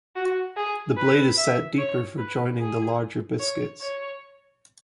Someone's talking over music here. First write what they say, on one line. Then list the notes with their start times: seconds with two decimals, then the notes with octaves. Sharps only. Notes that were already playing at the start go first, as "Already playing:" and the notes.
The blade is set deeper for joining the larger biscuits.
0.16 F#4
0.57 G#4
0.97 B4
1.38 E5
1.78 C#5
2.18 B4
2.60 G#4
3.40 C#5
3.81 C#5